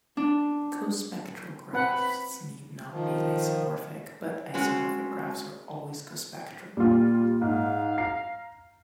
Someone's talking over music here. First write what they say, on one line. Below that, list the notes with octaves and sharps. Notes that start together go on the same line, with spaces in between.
Cospectral graphs need not be isomorphic, but isomorphic graphs are always cospectral.
D4
C4 B4 F#5 B5
D#3 F3
G#3 C4 C#4 F#4
A#2 G3 F4
G#2 F5
A#5 C7